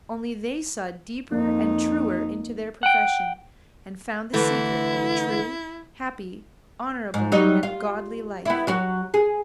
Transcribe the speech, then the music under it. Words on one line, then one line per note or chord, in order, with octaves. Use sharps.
Only they saw deeper and truer into their profession, and found the secret of a true, happy, honourable and godly life.
F2 A#3 D#4
F#5 G5
D3 E3 A3 E4
G#2
F#3 G3 D#4
F4
B3 E4
F#3 F#4 C#5
G#4